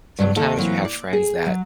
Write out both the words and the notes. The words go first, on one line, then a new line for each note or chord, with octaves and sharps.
sometimes you have friends that
G2 F#3 G3
D#2 A4
E3 F#3 A#3 C4
D5
G#4
F#3